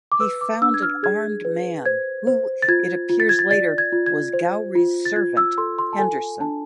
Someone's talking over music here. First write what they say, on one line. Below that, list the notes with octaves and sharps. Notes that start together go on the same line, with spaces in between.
He found an armed man, who, it appears later, was Gowrie's servant, Henderson.
D6
B4 E6
D6
D4 E6
G#6
F6
G#4 G#6
B4
C5 G#6
C5
A6
F4 G#6
F4
A6
G#6
A6
D5 A6
G#6
F4
G#6
C5
F4
A6
F4 G#6
E6
A4 C6
C6
A5
A4 G#5
D4 A5